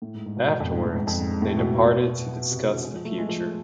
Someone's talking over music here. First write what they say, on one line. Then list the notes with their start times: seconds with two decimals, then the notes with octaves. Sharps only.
Afterwards, they departed to discuss the future.
0.02 A2
0.14 G#2
0.26 G#2
0.37 B2
0.49 B2
0.60 F2
0.72 G#2
0.84 A2
0.96 G#2
1.07 F2
1.19 G#2
1.30 G#2
1.42 A2
1.57 B2
1.73 B2
2.51 C3
2.61 E3
2.67 D3
2.83 G#3
2.94 F3
3.05 A3
3.18 G#3
3.29 F3